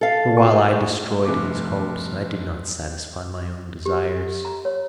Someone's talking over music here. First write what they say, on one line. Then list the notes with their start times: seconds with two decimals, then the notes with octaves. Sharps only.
For while I destroyed his hopes, I did not satisfy my own desires.
0.01 A4 F5
0.37 A3 F#4 C#6
1.25 F1 A3 D6
3.86 G4
4.45 A#5
4.65 C#5